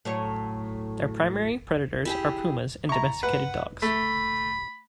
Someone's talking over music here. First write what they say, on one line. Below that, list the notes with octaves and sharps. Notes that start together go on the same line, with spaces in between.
Their primary predators are pumas and domesticated dogs.
A2 F#3 C#5
E4 G4 G#4
E4 A#5 C#6
B4 F#5
A3 B5